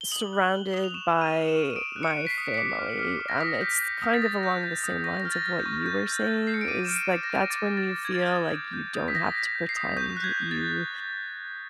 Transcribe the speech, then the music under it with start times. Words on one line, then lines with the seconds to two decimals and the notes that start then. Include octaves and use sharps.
surrounded by my family. Um, it's kind of along the same lines of what you were saying, is like that's when you feel like you don't have to pretend, you
0.01 G7
0.12 D#6 F#7
0.33 F#6
0.53 F#6
0.74 D#6
0.84 F7
0.94 C#6 E7
1.15 F6
1.21 D#7
1.35 F6
1.48 E7
1.56 C#6
1.71 D#7
1.76 D#6 D7
1.96 F#6
2.03 C#7
2.17 F#6
2.27 B6
2.30 C7
2.38 D#6
2.54 C#7
2.58 D6 C7
2.79 F6
2.99 F6
3.20 D6
3.28 A#6
3.40 D#6 B6
3.61 G6
3.81 G6
4.02 D#6
4.14 A6
4.22 D#6 A#6
4.43 G6
4.63 G6
4.84 D#6
5.04 C#6 A#6
5.20 A#6
5.25 F6
5.32 A6
5.45 F6
5.59 G6
5.66 C#6
5.86 C#6 G6
6.07 E6
6.13 A6
6.27 C#6
6.47 G6 C7
6.54 C#7
6.61 D7
6.68 D6 D#7
6.85 F6 E7
6.96 D#7
7.10 F6 A6
7.23 A#6
7.30 D6
7.50 D6 A6
7.71 F6
7.77 A6
7.92 F6
8.05 G#6
8.12 D6 A6
8.22 G#6
8.32 D#6 A6
8.53 G6
8.73 G6
8.94 D#6
9.08 B6
9.14 D#6 A#6
9.35 G6
9.55 G6
9.69 C7
9.76 D#6
9.97 C#6 G6
10.17 F#6
10.24 G#6
10.37 F#6
10.51 A6